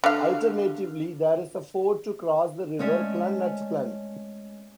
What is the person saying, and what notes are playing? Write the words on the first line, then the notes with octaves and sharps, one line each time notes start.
Alternatively, there is a ford to cross the River Clun at Clun.
D3 F5
G#3 A3 C#4 C#5 D5 E5